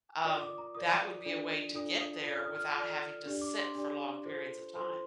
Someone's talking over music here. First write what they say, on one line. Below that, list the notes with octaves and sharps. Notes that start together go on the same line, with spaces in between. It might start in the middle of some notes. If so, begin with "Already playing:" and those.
um, that would be a way to get there without having to sit for long periods of time.
F4 A#4 D5 D#6
D6
A#5
F4 A#4 D5 D#6
D4 F4 A4 D5
D4 F4 A4 D5 D#6
D#6
F4 A4 D5
F6
D#6
F6
F4 A4 D5
D4 G4 D5
D6
C6
D4 G4 D5
F4 A4 C5
F4 A4 C5 C6